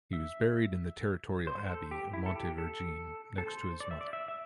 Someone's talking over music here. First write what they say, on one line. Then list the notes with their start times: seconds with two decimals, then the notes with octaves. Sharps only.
He was buried in the Territorial Abbey of Montevergine, next to his mother.
0.13 E5
1.47 C5
1.58 C5
1.68 A4
1.91 G4
2.13 E4
2.26 A4
2.35 G4
2.58 A4
3.38 A4
3.47 C5
3.80 D5
3.91 E5
4.01 D5
4.13 E5
4.28 E5